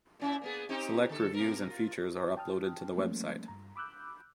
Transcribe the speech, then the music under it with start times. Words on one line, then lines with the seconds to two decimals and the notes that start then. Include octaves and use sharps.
Select reviews and features are uploaded to the website.
0.20 A#2 C#4 E4
0.41 A#3 B3 G#4
0.69 C4 D#4 G4
1.09 D3 A4
1.34 B2 A#4
1.70 F4
2.37 G5 A5 D#6 F6
2.95 F3 G3 A3 A#3 C#4
3.48 G2 A#5
3.76 B5 D6 E6 F#6 G6